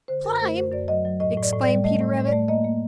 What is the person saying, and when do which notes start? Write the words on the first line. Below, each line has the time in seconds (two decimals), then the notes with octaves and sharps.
"Climb!" exclaimed Peter Rabbit.
0.08 D3 C5
0.24 F#2 A#4
0.40 A3 C5
0.57 F#2 C5
0.72 F#2 D5
0.88 F#3 D#5
1.05 F#3
1.20 A2 D#5
1.37 A2
1.42 D5
1.52 A2
1.63 D5
1.68 G3
1.84 A3 D#5
2.01 A2
2.17 A2
2.27 D5
2.32 A3
2.48 A#3 D#5
2.64 A#3